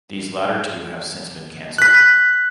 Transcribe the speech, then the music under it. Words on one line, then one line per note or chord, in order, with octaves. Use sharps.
These latter two have since been canceled.
F#6 B6